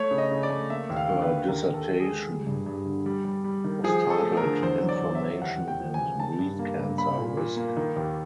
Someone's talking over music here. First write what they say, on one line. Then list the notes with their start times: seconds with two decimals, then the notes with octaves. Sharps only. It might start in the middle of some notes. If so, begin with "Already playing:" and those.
Her dissertation was titled "Inflammation and Breast Cancer Risk".
Already playing: A3 C#5
0.11 C#3
0.18 D#5
0.31 C#3
0.43 D5
0.50 A3
0.70 A#3 E5
0.90 D#2
0.96 F5
1.10 D3
1.22 B4
1.29 D3
1.49 D#2 A#4
1.69 D#2
1.74 A4
1.88 D#2
2.00 G#4
2.07 G#3
2.27 G3
2.46 G2
2.66 G2
2.86 D3
3.06 G3
3.25 G3
3.44 G3
3.64 D#3
3.84 F3 G#4
4.04 F3
4.10 A4
4.23 A3
4.37 A#4
4.43 D3
4.62 E2 C5
4.82 F#3
4.89 D5
5.02 E2
5.15 E5
5.21 E2
5.41 D#2 F#5
5.60 D#2
5.68 G5
5.80 F3
5.94 G#5
6.00 C#3
6.19 D#3 A5
6.39 G2
6.59 A#3
6.79 G2
6.98 A#3 B5
7.18 A#2
7.37 A#2
7.57 A#3
7.77 D#3
7.96 D#2